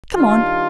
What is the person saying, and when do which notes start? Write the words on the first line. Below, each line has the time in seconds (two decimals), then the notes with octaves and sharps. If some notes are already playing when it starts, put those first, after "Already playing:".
Come on.
0.15 D#3 G3 D4 F4